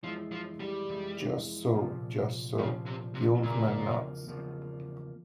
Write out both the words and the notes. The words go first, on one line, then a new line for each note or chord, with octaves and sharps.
"Just so, just so," the old man nods.
F2 E3 F3 G#3 E4
F3
G3
F2 E3 G#3 E4
C2 A#2 F3
C2 A#2 C#3 F3
C3
C3
E2 A#2 C#3 F3 A#3
E2 C#3 F3 A#3